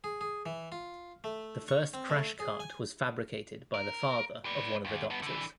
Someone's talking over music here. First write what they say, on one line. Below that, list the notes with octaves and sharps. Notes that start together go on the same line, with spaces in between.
The first crash cart was fabricated by the father of one of the doctors.
G#4
G#4
E3
F4
A3
C#6
C4
A3
G#4
G#5
A#4
B4 D5
D#2
G2 B3
D3 E3